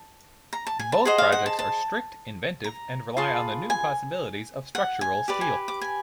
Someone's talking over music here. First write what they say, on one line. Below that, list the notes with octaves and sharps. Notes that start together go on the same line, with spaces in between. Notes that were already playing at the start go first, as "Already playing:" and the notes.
Both projects are strict, inventive, and rely on the new possibilities of structural steel.
Already playing: A5
A#5
A5
G#5
A5
G#4 C5 D#5 F#5
F5
F#5
A5
A5
A#5
F4 G#4 B4 A5
G#5
F#5
G#5
G4 B4 D5
G#5
D6
G#5